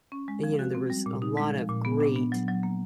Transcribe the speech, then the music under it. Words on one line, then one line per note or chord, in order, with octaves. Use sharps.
and, you know, there was a lot of great,
C#4
G#3
F3
F#4
C4
G3
A#2
D#4
G#3
F3
A#2
B3
D4
B3
F#3
F#3
A#3